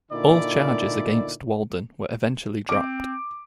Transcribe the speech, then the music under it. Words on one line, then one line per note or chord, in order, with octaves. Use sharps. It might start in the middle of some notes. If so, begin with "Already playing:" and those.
All charges against Walden were eventually dropped.
A#2 D3 D#4 E4 D5
C4 D6 D7